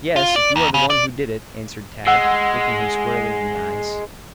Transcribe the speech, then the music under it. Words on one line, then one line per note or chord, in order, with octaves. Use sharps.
"Yes, if you are the one who did it," answered Tad, looking him squarely in the eyes.
F4
D5
D#2
C#3
D5
G#3 F#5 E6